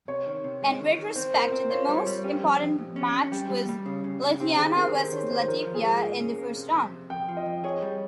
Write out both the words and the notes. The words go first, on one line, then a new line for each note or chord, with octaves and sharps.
In retrospect, the most important match was Lithuania versus Latvia in the first round.
C3 C#5
D#3
C3
G#3
D#3
D#3
C4 C5
A#2 A#4
C4 C5
F4 C#5
G3
C#5
G3
C#4 G4
F2
F2
F2
C#4
C#4
G3 G4
G3
G3
C#3
C#3
C#3
C4 G4
D#3 G#4
C4 A#4
C4 C5
D#3 C#5
D#3 C5
F3 A#4
F3
G#4
G#2
A#3
C#4
A#3
C3
F2
C3
F2 G5
F3
D#5
F2
G#4 C#5
G3